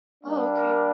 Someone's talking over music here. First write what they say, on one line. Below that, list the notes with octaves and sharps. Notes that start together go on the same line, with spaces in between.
Oh, okay.
G3 A#3 D4
A#4